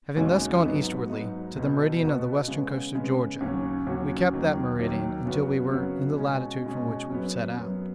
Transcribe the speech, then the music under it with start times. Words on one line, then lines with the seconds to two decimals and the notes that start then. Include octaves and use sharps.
Having thus gone eastwardly to the meridian of the western coast of Georgia, we kept that meridian until we were in the latitude from which we set out.
0.17 D#2 C#3 G#3 D#4 F#4
0.63 G#2 F#3 B3 D#4
1.09 G#2 F#3 B3 D#4
1.56 C#2 B2 B3 F#4
2.02 C#2 B2 B3 F#4
2.48 C#3 G#3 B3
2.95 C#3 G#3 B3
3.41 D#2 C#3 F#3 C#4 F#4
3.87 D#2 C#3 F#3 C#4 F#4
4.34 D#2 D#3 F#3
4.80 D#2 D#3 F#3
5.26 F#2 C#3 B3 F#4
5.71 F#2 C#3 B3 F#4
6.18 B2 G#3 C#4
6.64 B2 G#3 C#4
7.10 F#2 F#3 B3
7.57 F#2 F#3 B3